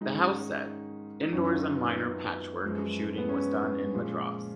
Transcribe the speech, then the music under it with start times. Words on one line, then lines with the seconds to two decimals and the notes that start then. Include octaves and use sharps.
The house set, indoors and minor patchwork of shooting was done in Madras.
0.01 G#2 D#3 G#3 D#4
0.14 C#4
0.27 D#4
1.21 D#4
1.33 F#2 D#3 F#3 C#4
1.49 F4
1.55 D#4
1.76 B3
2.63 F#2 F3 G#3
3.17 B3
3.29 C#4
3.94 A#2 F3 G#3